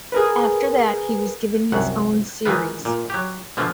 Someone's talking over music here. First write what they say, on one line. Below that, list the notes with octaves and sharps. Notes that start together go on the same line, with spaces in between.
After that he was given his own series.
G#4 A#4 B4
C2 F#2 F#5
D#3 E3 G#3 F4 B4
A#2
F#3 G4
B2 D3 F3 F4